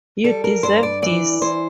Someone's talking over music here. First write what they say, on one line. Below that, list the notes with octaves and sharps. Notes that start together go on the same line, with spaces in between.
You deserve this.
G3 A4
A#4
G2 C5
D5
E3 D5
E3 C5